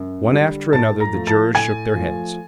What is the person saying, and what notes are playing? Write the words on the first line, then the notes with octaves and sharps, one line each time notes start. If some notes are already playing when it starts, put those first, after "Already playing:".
One after another the jurors shook their heads.
Already playing: F#2
D3 G3
A2 A5 A6
A#5 A#6
F3 A3
A5 A6
A2 G#5 G#6
F3 A3